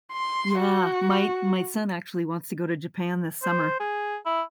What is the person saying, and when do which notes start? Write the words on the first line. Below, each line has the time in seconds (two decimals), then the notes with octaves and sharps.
Yeah. My my son actually wants to go to Japan this summer
0.12 C6
0.59 F#4
3.43 C5
3.80 G#4
4.26 E4